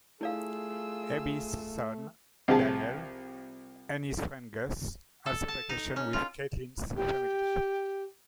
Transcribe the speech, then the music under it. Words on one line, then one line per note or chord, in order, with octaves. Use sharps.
Abby's son, Daniel, and his friend, Gus, also vacation with Caitlin's family.
A3 E4 F4 G#4 D5 F5 E6
C2 F3 G#4 A5
A4
A5
D#4
C#4
F4
G4